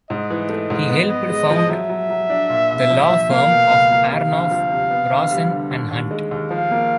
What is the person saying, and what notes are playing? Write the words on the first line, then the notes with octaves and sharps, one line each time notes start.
He helped found the law firm of Aronoff, Rosen and Hunt.
G#2 D#5
E3
A3
G#2
B3
B3
G#3
F3
F#3 E5
F#3
F#3
D4
A#2
C2
F3
F3
A#3 F5
B2
C#2
A#3
C3 F5
D2
F3
C3
B3
D2
G3
D3
D#2
D#2
G#3
D#2
F3 F5
A#3